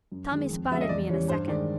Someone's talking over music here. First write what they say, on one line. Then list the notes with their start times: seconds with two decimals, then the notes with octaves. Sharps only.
'Tommy spotted me in a second.
0.12 F#2
0.31 D#3 G#3
0.51 F2
0.70 C#3 F3 G#3 E5
0.81 D#5
0.89 E2 D5
1.09 C#3 E3 G3 C#5
1.28 G2 C5
1.48 D#3 G#3 D5